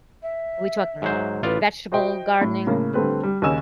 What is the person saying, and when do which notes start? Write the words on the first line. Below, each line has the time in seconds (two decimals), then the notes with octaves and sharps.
are we talking vegetable gardening?
0.22 E5
1.02 G#2 F#3 C5
1.43 A1 F4 B4 D5
1.92 F#4 C5 D#5 E5 G5
2.41 A2
2.67 A2 C#3 A#3
2.94 D3 G3 A3 C4 B4
3.23 G3
3.42 D#2 C#3 D#4 G#5 E6 E7